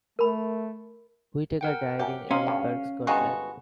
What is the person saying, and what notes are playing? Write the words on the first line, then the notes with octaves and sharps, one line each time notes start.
Whittaker died in Edinburgh, Scotland.
A3 A#4 B5
A#4 F#5 G5
F#2 G4
C4 C#4 D#4 F4 F5
D2 G2
G1 D#3 F3 G#3 F#4 B4 A#5 C#6